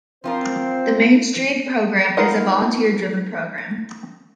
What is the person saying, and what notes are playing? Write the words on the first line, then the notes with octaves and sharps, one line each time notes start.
The Main Street program is a volunteer driven program.
F3 C4 F4 A#4 C5
D#4 F4 A#4 B4 F#5